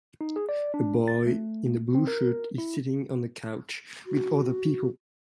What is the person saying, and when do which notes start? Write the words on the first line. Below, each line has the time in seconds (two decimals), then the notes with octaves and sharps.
A boy in a blue shirt is sitting on a couch with other people.
0.21 D#4
0.36 G#4
0.49 D5
0.74 D4
1.08 A6
1.27 A3
1.95 C4
2.07 A#4
2.58 E4
4.07 F#4